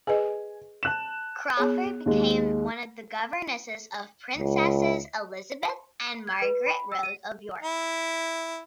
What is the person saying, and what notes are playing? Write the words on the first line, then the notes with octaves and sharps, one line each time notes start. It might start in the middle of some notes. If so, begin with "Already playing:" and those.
Crawford became one of the governesses of Princesses Elizabeth and Margaret Rose of York.
G#4 B4 D#5 G#5
A5 F#6 E7
B3 G#4 C#5
D#2 G#3
C#2
G#6
B4
B5
E6
D#7
E4